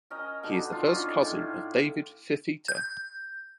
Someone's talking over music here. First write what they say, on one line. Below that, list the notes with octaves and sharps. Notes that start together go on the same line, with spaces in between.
He is the first cousin of David Fifita.
C#4 A#4 D#5 G5
B2 D3 D4 D#4
F4
C#4 D#4 D5
A2
G6